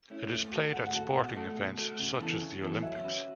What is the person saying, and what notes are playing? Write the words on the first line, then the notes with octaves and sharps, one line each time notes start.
It is played at sporting events, such as the Olympics.
A3 C#4 E4
A3
F#4 A4
A3 F#5
F#5
F#4 A4
F#5
B2 F#5
A3 F#4 A4
B2
A3 F#4 A4
C#3
E3 B3 E4 A4
C#3
E3 B3 E4 A4
F#3 E5
C#4 F#4 B4